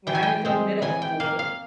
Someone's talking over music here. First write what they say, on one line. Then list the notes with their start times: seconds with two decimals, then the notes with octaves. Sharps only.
When I was in middle school
0.07 E3 G5
0.15 G#5
0.23 G5
0.45 G#3 C4
0.82 E3 G#5
1.02 G5
1.20 A#3 F5
1.39 F5